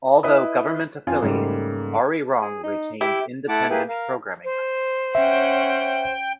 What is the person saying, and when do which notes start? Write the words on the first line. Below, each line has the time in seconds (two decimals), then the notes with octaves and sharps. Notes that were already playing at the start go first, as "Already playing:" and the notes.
Although government-affiliated, Arirang retains independent-programming rights.
0.23 E4 B4 D#5 E5 B5 D#6
1.07 F2 C#4 F4 G#5
1.22 G#2 C#3 G3 A3 A#3
2.42 G#4
2.64 D#4
3.01 E4 G4
3.49 A3 E4 F#5 A5 D6
3.70 A#3 E4 G4 G#4 B4
3.88 A#4 F5
4.45 C5
5.15 C#4 C#5 E5 F#5 G5